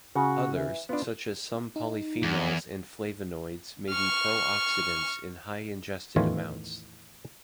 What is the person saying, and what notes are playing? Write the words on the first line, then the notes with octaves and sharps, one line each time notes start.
Others, such as some polyphenols and flavonoids, may be pro-oxidants in high ingested amounts.
C#3 F#4
E3
B3 D4 F4
D#4
E2
C#6 F6
E2 A2 D#3 E3 F4 C#5